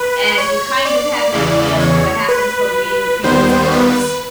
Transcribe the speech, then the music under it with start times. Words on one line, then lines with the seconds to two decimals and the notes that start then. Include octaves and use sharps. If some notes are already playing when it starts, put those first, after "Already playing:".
And you, kind of have an idea of what happens from reading the previous books
Already playing: B4
0.38 C#5
0.85 D5
1.32 E2 C#3 E3
1.80 C#5
2.29 B4
3.23 D#2 D#3 G3 B3 C5
3.72 B4